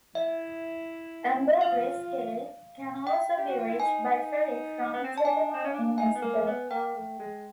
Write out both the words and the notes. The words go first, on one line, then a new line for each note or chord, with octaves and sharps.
Ambergris Caye can also be reached by ferry from Chetumal in Mexico.
E4 E5
F4 F5
G5
G4
F#4
F4
E4
D#4 G#5
B3
C4
C#4 A5
D4 G#5
C4
C#4
D4
D#4 G#5
B3
A#3
B3
A#3 G5
A3
G#3